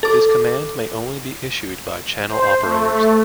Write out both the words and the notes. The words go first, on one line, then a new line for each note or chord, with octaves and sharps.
This command may only be issued by channel operators.
A4 D6
C5
A3